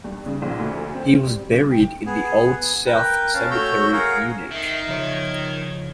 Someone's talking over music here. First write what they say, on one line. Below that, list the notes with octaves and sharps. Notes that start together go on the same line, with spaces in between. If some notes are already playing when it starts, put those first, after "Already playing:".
He was buried in the Old South Cemetery Munich.
G2
C#3
A#1
D2
C4
G3
C#3
G5
B3 G#4
A#4 B4 G5
C#4 F5 A5
A3 F#4 C#5 E6 G6
G#4 A#4 F5 F#5
D#3 E5 C7
C#3 F3 C#5 G#6